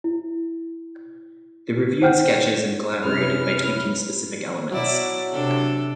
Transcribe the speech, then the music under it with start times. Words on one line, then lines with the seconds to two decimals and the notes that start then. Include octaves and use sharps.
They reviewed sketches and collaborated by tweaking specific elements.
0.04 E4
2.01 D#4 C5 F#5 G5 F6 G6
3.04 F#2 C3 F#3 E4 G#4 B4 F6
4.72 B2 F#3 E4 D5
5.32 C3 D4 A4